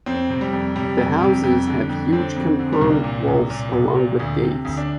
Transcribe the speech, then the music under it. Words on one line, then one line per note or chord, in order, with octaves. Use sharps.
The houses have huge compound walls along with gates.
F2 C4
C3
G3
F2
C3 G3
F2
C3
F2
D3
F2
D3 C4
F2
D3
G3
C2 A#3
A#2
C2
A#2
C2
A#2
D2
C3
D2
D4